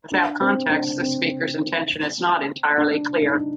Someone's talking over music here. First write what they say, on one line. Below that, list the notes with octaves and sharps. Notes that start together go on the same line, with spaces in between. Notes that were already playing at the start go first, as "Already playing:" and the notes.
Without context, the speaker's intention is not entirely clear.
D4
C4
C4
D4
C4
D4
D#4
D4